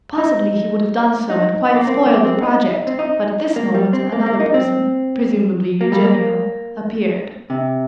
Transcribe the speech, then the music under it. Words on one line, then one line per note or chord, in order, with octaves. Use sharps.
Possibly he would have done so and quite spoiled the project, but at this moment another person, presumably Eugenio, appeared.
D#4
D#4
A#3
C4
A#3
C4
D#4
C4
D#4
A#3
G3
C4
A#3
A#3
D#4
C4
A#3
G3
A#3
C3